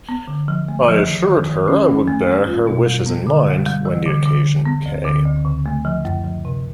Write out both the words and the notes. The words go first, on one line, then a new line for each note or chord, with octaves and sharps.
I assured her I would bear her wishes in mind when the occasion came.
B3
D3
F3
A3
F3
D#3
D#3
D#3
C#4
C#4
A3
G3
F4
B2
G3
B3
D3
G3
G3
E3
D3
D3
D3
B3
D2
D3
D2
C#3
A3
F3
F#2
F3
C3